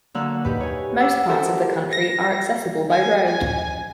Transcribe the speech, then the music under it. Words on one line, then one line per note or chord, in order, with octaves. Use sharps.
Most parts of the country are accessible by road.
D3 F#3 A#3 F5 E6 F#6
D#4 G4 B4
C#5 G#5
F#5 D6 E6
F#4 G4 A4 A#4 C5 E5
A#6
G#5
G#5